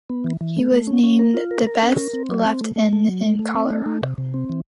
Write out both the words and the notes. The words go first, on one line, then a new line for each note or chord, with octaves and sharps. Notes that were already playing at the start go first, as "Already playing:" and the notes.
He was named the Best Left End in Colorado.
B3
E3
E3
A3
A3
C#4
C#4
A#4
F4
A#4
A#4
C#4
A#4
C4
F#3
C4
A3
A3
A3
F#3
A3
A3
C4
A3
A3
C3
C3
C4
E3